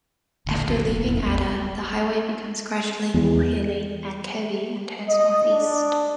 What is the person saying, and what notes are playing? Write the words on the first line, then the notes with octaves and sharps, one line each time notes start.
After leaving Ada the highway becomes gradually more hilly and curvy, and turns northeast.
D#1 A1 D3
A1 B2 D3 F#3
F1
F1 E2 A2
G#1 A#3 B3
E2
D#5
D4